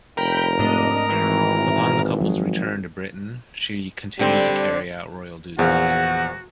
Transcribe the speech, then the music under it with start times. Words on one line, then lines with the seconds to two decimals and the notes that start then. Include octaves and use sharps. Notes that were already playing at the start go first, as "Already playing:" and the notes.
Upon the couple's return to Britain, she continued to carry out royal duties.
0.17 F1 A#4 G5 B5 G6
0.59 G#2 A3 C4 D4 D#5
1.09 G#1 D#3 E3
2.21 F3 F#3 G#3
4.19 D3 G3 C4 A4
5.59 A#1 E2 F#4 F5 F#5